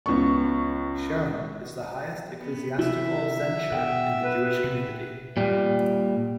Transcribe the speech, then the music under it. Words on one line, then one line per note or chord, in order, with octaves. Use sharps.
Cherem is the highest ecclesiastical censure in the Jewish community.
C#2 B3 C#6
B3
C3 F3 E4 E5
B2 F#5 G5
B4
C3
A#2 G3